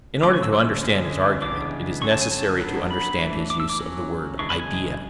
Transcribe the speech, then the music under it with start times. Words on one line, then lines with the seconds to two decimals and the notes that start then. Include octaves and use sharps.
In order to understand his argument, it is necessary to understand his use of the word 'idea'.
0.23 D3 A3 C#4 D6
0.33 C#6
0.43 E6
0.53 E6
0.83 D3 G#3 C#4
1.42 C#3 E3 G#3 B3 D4 D6
2.01 D3 F#3 C#4 C#6
2.11 A5
2.22 G#5
2.32 A5
2.61 F#3 B3 D4
2.90 B5
3.20 E3 A3 D4
3.50 D6
3.60 E6
3.70 D6
3.80 F#3 C#4
4.39 C#3 E3 G#3 D4 C#6
4.49 B5
4.59 G#5